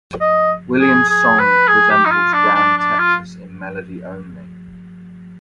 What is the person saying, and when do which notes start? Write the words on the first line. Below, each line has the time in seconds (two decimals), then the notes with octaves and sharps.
Williams' song resembles "Grand Texas" in melody only.
0.21 D#5
0.80 G#4
1.09 G#4
1.39 B4
1.68 G#4
1.90 G4
2.05 D#4
2.11 F4
2.33 D4
2.54 D4
2.77 D4
2.99 F4